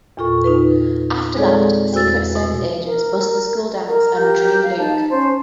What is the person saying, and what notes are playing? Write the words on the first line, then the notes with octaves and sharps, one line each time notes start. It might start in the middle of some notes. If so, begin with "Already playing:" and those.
After that, Secret Service agents bust the school dance and retrieve Luke.
E2 A#2 F4 A4 C#6
D#4 F4 B4
G#3 C4 G#4 A4 C#5 D5
E2 F#4 C5 E6 A6
B2
A#4
A#4
G4 A#4 G6
F5
D#4 A5
C#4 C5